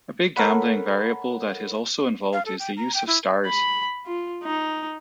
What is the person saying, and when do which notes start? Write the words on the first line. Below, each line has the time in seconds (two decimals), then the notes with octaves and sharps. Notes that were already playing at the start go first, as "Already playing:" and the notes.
A big gambling variable that is also involved is the use of stars.
0.37 A4 A#4 C#5 F#5 B5
2.33 F5
2.46 A4
2.60 G5
2.77 A#5
2.94 G5
3.07 E4
3.47 B5
4.06 F4
4.43 D#4